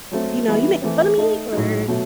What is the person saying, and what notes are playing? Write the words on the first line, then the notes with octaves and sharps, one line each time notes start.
you know, "You making fun of me?" or
F#3 A3 C4
E3 G3 B3 E4
E3 A3 C4
A3 D#4 A4 D#5
A2 F#3 A3 D#4
B2 F#3 A3